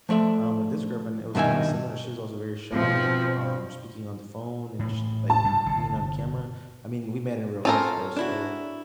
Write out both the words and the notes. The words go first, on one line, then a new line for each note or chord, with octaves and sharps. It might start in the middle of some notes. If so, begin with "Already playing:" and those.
um, with this girlfriend, it was kinda similar, she was also very shy, like, um, speaking on the phone and just, like, being on camera, I mean, we met in real life, though, so,
F3 A3 D5 E5
G2 B2 D#3 E5 G#5
B2 F3 C4
A2 E3
A5
G2 F#3 G3
G1 C3
C4 C#4 F4 A4 A#4 C5
D4 E4 F#4